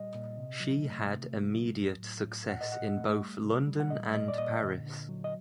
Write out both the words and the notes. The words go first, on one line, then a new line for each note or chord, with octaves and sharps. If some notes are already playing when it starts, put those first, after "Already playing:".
She had immediate success in both London and Paris.
Already playing: A#2 G3 D#5
A#2
C3
F#3
A3
C3
A3
F#3
A2
A2
A2
A#2 F#5
D#5
A#2 F#5
A3
G3
C3
G3
F#5
A#2 D#5
A#2 D#5
D5
A#2 D#5
D3
D3
F#3
D#5